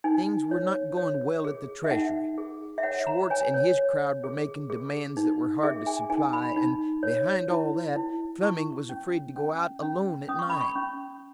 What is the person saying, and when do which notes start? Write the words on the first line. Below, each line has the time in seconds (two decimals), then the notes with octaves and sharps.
Things were not going well at the treasury; Schwartz and his crowd were making demands that were hard to supply, and behind all that, Fleming was afraid to go out alone at night.
0.04 D#4 G#5
0.51 C#5
0.97 C#5
1.44 G#4
1.84 E5
1.91 D#4 F#5
2.38 G#4
2.78 E5
2.83 C#5 F#5
3.07 A#5
3.30 C#5 G#5
3.54 C#5
3.77 C#5
4.24 G#4
4.70 G#4
5.17 D#4
5.63 G#4 E5
5.87 G#5
6.10 D#4 G#5
6.33 B5
6.57 D#4
7.03 C#5
7.50 E4
7.96 E4
8.42 E4 C#6
8.89 C#4
9.36 C#4
9.82 C#4
10.29 C#4 D#6
10.39 C#6
10.50 B5
10.61 C#6
10.76 C#4